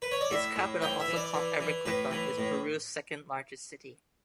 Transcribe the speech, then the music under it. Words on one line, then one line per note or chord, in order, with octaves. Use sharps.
Its capital, also called Arequipa, is Peru's second-largest city.
B4
C#5
D5
A2 E5
A2
E3 G5
E5
E3
D5
E3
E3
A2 B4
E3
A2